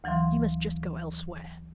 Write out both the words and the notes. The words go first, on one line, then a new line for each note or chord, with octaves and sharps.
You must just go elsewhere.'
D2 E3 F#3 F5 C6